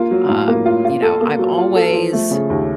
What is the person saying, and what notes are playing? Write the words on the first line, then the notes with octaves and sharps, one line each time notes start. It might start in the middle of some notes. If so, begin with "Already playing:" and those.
um, you know, I'm always
Already playing: A#3 F4
F#3
A2
A#3
F4
F4
A4
A#3
F#3
F4
A4
F3
A3
C#3
D#2